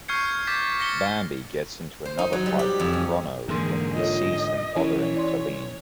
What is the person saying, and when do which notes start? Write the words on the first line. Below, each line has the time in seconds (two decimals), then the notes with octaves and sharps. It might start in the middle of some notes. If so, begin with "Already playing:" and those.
Bambi gets into another fight with Ronno when he sees him bothering Faline.
0.08 C#6 F6 G6 G#6 C7 C#7
0.47 D6 G6 A6 B6
0.80 A#6 B6 C#7 G7
2.05 C5
2.19 D#4
2.33 F#3
2.46 G3
2.59 G4
2.80 F2
2.93 C#4
3.48 G#2 D3 E3 A#3 G#4 C6
3.95 F4 A4 C#5 D#5
4.76 E3 C#4 E4 A#4 C#5
5.14 E4 D5 C6